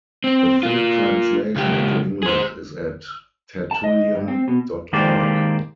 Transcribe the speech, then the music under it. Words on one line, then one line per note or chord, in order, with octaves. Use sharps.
A full translation into English is at Tertullian dot org.
C4
A#3 F4
C#2 G4
G#4 C5
A5
D#5
G2
C4
B2
D#3 G#3 A#3 G4 C5 D5